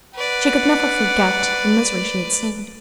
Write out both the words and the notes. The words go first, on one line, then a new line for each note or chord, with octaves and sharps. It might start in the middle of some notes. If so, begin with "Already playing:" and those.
She could never forget the misery she had seen.
B4 D5 F#5